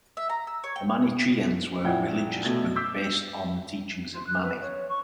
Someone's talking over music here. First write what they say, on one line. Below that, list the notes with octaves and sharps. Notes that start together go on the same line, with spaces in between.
The Manicheans were a religious group based on the teachings of Mani.
E5
A#5
E6
C#5
G5
A#1 E4 F#5 G5 G#6
B2 A3 G#6
D6 E6 G6 B6 C7
C6
F#6
B4
C#5
C#6